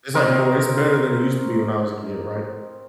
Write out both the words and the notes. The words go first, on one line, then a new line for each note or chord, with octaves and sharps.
it's, like, more it's better than it used to be when I was a kid, right,
C4 A#4 C#5 D#5